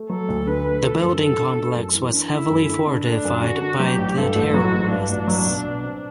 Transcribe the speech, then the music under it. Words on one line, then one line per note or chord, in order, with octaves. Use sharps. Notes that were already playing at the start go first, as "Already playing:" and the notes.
The Building Complex was heavily fortified by the terrorists.
Already playing: A3
F#3 A4
D2
D3 B4
A3
A3 A4
F#2
E3 A4
D4
A3
F#2
E3
D4
A3 E4
F#2
D3
D4
A3 D4
F#2
D3 F#4
D4
F#3 G4
A1
G2 A4
A1
F#3 F#4
A1
G2 D4
A1
F#3
B1
B2
C4